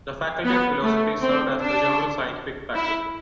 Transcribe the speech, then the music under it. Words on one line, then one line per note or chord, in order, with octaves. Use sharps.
The Faculty of Philosophy served as the general scientific faculty.
B3
A3
C4
D4
E4